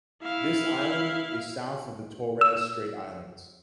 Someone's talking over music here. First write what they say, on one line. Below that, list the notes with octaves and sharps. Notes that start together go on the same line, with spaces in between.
This island is south of the Torres Strait Islands.
E4 F5
E6